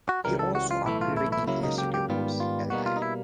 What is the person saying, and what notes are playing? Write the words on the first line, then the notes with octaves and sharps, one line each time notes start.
He also appeared in "Yesterday Was a Lie".
F#4
C#2 C#3 E3 G3 A#4
A4
F#4
F4
B1 A2 E3 A3 E4
F4
E4
E4
C#2 C#3 F#3 A#3 E4
D#4
G4
G4
G#2 D#3 G3 B3 F4
F4
B2 G3 A#3 D#4 F#4
F4
D#4
E4